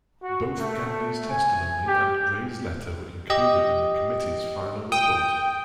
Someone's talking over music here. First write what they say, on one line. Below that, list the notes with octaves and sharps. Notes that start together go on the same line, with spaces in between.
Both Gandy's testimony and Gray's letter were included in the committee's final report.
F#4
A3
G#5
G4
G4 D#5
G5 D#6